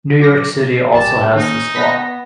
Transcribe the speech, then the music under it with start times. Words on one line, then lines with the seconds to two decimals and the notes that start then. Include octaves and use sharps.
New York City also has this law.
0.20 F#3 D6 A#6
0.94 A#1 G3 A5
1.35 D#3 A#3 C#4 D#4
1.76 B3 B4 A#6 B6